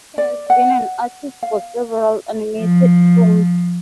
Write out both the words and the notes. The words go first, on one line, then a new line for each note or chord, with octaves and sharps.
He has been an artist for several animated films.
D5
F#5
F5
F3